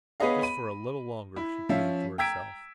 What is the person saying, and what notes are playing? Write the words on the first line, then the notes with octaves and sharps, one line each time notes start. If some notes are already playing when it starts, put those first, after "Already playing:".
Just for a little longer, she pleaded to herself.
B3 G#4 B4 C#5 D#5 F5
B5 D#7
E4
F3 C#4 E5 F5
G5 A#5 E6 G#6 B6 D7